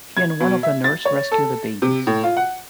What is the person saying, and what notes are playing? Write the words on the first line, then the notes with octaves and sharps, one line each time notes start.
He and one of the nurse rescue the babies.
G#6
B2
E5
A6
C#5
A4
C3
A2
F4
F#5